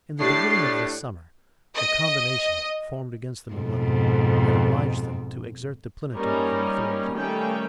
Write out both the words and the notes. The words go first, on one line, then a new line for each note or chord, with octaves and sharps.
In the beginning of this summer, a combination, formed against them in London, had obliged them to exert the plenitude of their authority.
A2 D4 G4 A6 C7
D#5
F2 G#2 B2
G3 A#3 C#4 D#4 A#4 C#5
D#3 G3 A3 C#4 G5